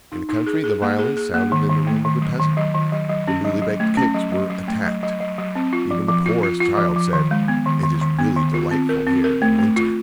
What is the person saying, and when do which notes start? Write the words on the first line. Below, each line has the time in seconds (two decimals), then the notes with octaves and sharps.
In the country the violin sounded in the room of the peasant; the newly-baked cakes were attacked; even the poorest child said, "It is really delightful here in winter!"
0.12 D#4
0.29 D#4
0.47 G#4
0.64 G#4
0.82 A#3
0.99 G#4
1.17 G#4
1.34 A#3
1.52 D#3
1.69 D#3
1.87 A3
2.05 D#3
2.22 F#3
2.39 D#3
2.57 F#3
2.74 D#3
2.92 F#3
3.10 F#3
3.28 C#4
3.44 F#3
3.62 F#3
3.80 A3
3.97 C#4
4.14 F#3
4.33 F#3
4.50 F#3
4.68 A3
4.86 F#3
5.03 F#3
5.20 F#3
5.38 F#3
5.55 C4
5.73 F4
5.91 F3
6.08 F3
6.26 F4
6.43 F4
6.60 F4
6.78 F3
6.96 F3
7.13 D#3
7.31 G#3
7.48 B3
7.66 D#3
7.83 D#3
8.01 D#3
8.19 B3
8.36 D#3
8.54 F4
8.71 C4
8.89 A#4
9.07 C4
9.24 A#4
9.42 A3
9.59 A3
9.76 F4